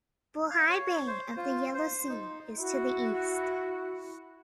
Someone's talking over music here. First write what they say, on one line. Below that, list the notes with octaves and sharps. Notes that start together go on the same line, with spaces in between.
Bohai Bay of the Yellow Sea is to the east.
F5
C#5
C5
F4
C5
D#4
E4 F#4